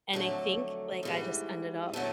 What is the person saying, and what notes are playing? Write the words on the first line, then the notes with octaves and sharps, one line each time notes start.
And I think, like, I just ended up
F2 D3 F#3 A3
G#2 E3 G3
D3 F#3 A3